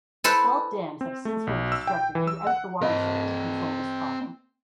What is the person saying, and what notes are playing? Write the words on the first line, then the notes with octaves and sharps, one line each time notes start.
Twelve dams have since been constructed throughout the watershed to control this problem.
E4 A4 B4 C5 E5
C4
A3
B1
E6
G5
E3
E6
F#5
C4 D#5